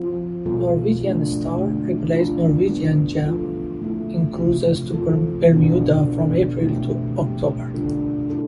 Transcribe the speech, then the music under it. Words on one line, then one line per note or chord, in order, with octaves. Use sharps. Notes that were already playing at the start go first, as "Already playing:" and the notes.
"Norwegian Star" replaced "Norwegian Gem" in cruises to Bermuda from April to October.
Already playing: F3 C4 F4
B2 G3 B3 F4 A4
A3 D4 F4
D3 A3 C4
E3 B3 D4 F4
D3 G3 B3 F4 A4
F3 B3 F4 A4
A3 E4 A4
C3 F3 C4 F4
F3 C4 F4 A4
B2 B3 D4
E3 B3 E4 A4
B2 A3 C4 E4 G4
G3 C4 G4
D3 G3 D4 F4 A4
E4 A4